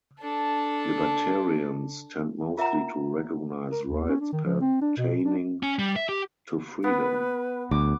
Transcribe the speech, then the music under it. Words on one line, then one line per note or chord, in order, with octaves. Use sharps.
Libertarians tend mostly to recognize rights pertaining to freedom.
D4 A4
F4 A#4 E5 F#5 G5 A#5
A#4
D#2
C#4
D4
D#3
F3
C4
D4
B2
D4
C#4
G3
E5
G4
B3 B4
D2 D6